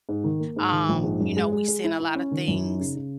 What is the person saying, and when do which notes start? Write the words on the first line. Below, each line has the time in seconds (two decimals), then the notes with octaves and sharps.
Um, you know, we've seen a lotta things
0.09 G#2
0.24 D#3
0.40 A#3
0.56 G#2
0.72 D#3
0.89 A#1
1.04 G#2
1.20 F#2
1.37 G#3
1.52 G#3
1.68 G#3
1.84 E4
2.00 E4
2.15 C#4
2.31 D#3
2.48 F#2
2.64 D#4
2.80 C#3
2.96 C#3